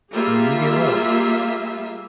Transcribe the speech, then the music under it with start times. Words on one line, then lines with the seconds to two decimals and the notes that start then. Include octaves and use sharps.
when you get old,
0.12 G3 A#3 F4 G#4 E5